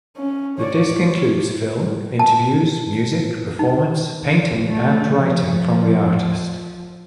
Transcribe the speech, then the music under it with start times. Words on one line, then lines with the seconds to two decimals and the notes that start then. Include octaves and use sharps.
The disc includes film, interviews, music, performance, painting and writing from the artist.
0.16 C#4
0.58 C#5 D5
2.19 A5
3.59 D#4
4.65 A3
5.15 F3